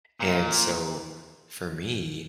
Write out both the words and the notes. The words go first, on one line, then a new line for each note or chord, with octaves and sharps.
and so, for me,
A#2